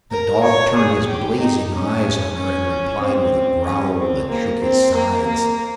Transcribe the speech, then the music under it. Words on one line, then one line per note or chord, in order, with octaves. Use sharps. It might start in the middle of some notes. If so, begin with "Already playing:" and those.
The dog turned his blazing eyes on her and replied with a growl that shook his sides.
A#4
C#5
G#4
G4
D#4
C#4
C#4
C4
C#4
C4
A#3
C4
A#3
A#3